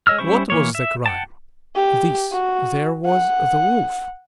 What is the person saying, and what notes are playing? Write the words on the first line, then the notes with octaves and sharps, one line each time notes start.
What was the crime? This: there was the wolf.
G#3 C#5 D#5 E6 F6
G3 C#4 E4 C5 C#6
E3 A#3 C#5
E5
F#5 G5 A5
G4
F#4
F#5